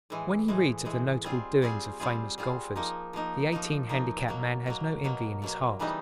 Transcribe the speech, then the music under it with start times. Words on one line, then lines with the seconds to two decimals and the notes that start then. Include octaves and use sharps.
When he reads of the notable doings of famous golfers, the eighteen-handicap man has no envy in his heart.
0.10 A2 E3 G#3
0.48 A2 E3 G#3
0.85 A2 E3 G#3
1.24 G3 C4 F4 G#4
1.62 G3 C4 F4 G#4
2.00 G3 C4 F4 G#4
2.38 G3 C4 F4 G#4
2.76 F3 A#3 D#4
3.13 F3 A#3 D#4
3.52 F3 A#3 D#4
3.89 F3 A#3 D#4
4.28 B2 F#3 A#3
4.66 B2 F#3 A#3
5.04 B2 F#3 A#3
5.42 B2 F#3 A#3
5.79 C#3 E3 G3 B3 D#4